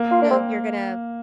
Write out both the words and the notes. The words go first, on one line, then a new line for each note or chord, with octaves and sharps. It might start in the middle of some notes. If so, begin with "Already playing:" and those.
so you're gonna
Already playing: A#3
F4
D4
C4